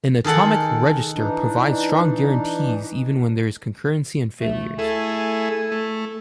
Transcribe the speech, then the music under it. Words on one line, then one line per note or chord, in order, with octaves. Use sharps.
An atomic register provides strong guarantees even when there is concurrency and failures.
D#3 G#4 A4 F#5
E3 D4 D#4
D2 A3
A3 E4 G#4 A4 G#5
A3